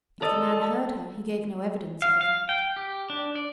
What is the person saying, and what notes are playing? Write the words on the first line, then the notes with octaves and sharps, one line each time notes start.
If the man heard her he gave no evidence of the fact.
A4 A#4 D5 D#5
F5
F5
G5
G4
D4
D5